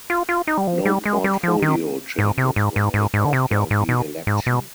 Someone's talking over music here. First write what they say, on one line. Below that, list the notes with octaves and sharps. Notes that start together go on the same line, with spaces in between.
No portfolio changes were made after the election.
F4
F4
D#4
G3
F3
G3
G#3
G3
F3
D#3
G#2
C3
G#2
G#2
G#2
G#2
D3
C3
G#2
G#2
B2
G#2
B2